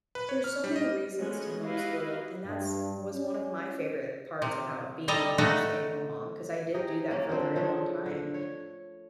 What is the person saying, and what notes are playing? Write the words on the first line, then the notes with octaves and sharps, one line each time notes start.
there's so many reasons to homeschool and that's was one of my favorite parts about being a stay-at-home mom 'cause I did do that for a very long time.
B4
C#5
F6
G3
D#5
G#3 A3 B3 C#4 F#4
E4 F#4 G4 B4 D#5 F5
G2
C#4
C3
G3 A4 D#5 A#5
A3 D#4 F#4 A4
G4 G#4 A#4 D#5
A#3 C#4
D3 F3 C4 D4
C#3 F3 A3 D4
D3
C#5